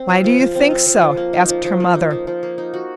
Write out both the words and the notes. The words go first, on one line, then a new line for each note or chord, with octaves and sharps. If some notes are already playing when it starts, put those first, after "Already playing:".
"Why do you think so?" asked her mother.
Already playing: C4
F4
F3
F3
C4
F4
F3
F3
A#3
D#4
F3
F3
A#3
D#4
F3
F3
A#3
D#4
F#4